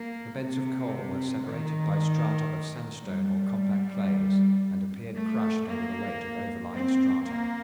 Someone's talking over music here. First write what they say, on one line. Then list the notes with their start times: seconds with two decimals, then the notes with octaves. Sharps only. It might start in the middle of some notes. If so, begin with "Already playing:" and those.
The beds of coal were separated by strata of sandstone or compact clays, and appeared crushed under the weight of overlying strata.
Already playing: A#3
0.40 C3
1.45 D#3
3.04 G3
5.14 A3
5.67 A#3
6.72 C4
7.25 A#3